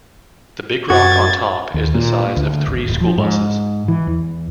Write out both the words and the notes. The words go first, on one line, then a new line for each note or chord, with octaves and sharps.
The big rock on top is the size of three school buses.
F#2 F#4 G#6 A6
D#2
A#2
D2
G#1
D#1
F3
G#2
E3
E2